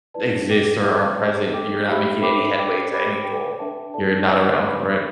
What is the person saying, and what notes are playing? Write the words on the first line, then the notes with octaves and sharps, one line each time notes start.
exist or aren't present, you're not making any headway to any goal. You're not around for it.
E4 B4 D5 A5
A4 G5 D6
A4 E5 G5 D6
G4 D5 A5
A4 G5 D6
D4 G4 E5 B5
A4 E5 G5 B5 D6
B4 G5 D6
G4 D5 B5 D6
B4 G5 D6
D4 B4 E5 A5
A4 D5 A5
D4 B4 E5 A5 D6
B4 D5 B5 D6